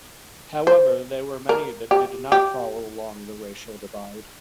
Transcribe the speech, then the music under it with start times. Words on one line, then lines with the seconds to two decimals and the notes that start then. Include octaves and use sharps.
However, there were many that did not fall along the racial divide.
0.67 C5
1.49 A#4
1.91 G4
2.32 G4